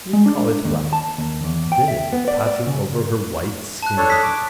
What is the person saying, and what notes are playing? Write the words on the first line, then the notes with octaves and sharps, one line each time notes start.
We call it black. Then passing over her white skin.
G#3
D4
D#2
A5
D#2
E2
G5
E5
B3
D5
D5
C#3
A5 F#6
D4 A4 C#5
D#6 B6
D6